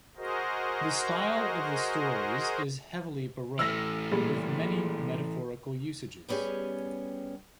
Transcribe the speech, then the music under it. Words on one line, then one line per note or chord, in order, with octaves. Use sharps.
The style of the stories is heavily Baroque, with many metaphorical usages.
F#4 G#4 A#4 C5 D#5
E3 A3 E6 F6 A#6
A#2 G3 G#3
G3 B3 C#4 G4 G#4